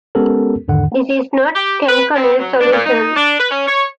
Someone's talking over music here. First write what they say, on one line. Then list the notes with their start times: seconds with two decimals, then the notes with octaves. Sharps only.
This is not a canonical solution.
0.15 G#3 B3 C#4 G4 A4 A#4
0.68 E2 G#2 D3 D#3 F#5
1.55 G4
1.88 B4
2.16 C4
2.39 F#3
2.60 D4
2.72 A#2
2.85 D#4
3.16 D4
3.39 B4
3.50 C#4
3.67 C#5